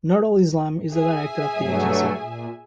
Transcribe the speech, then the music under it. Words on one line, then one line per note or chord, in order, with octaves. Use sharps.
Nurul Islam is the Director of the agency.
G#4 E5 G#5
G2 F#3 A3
A#2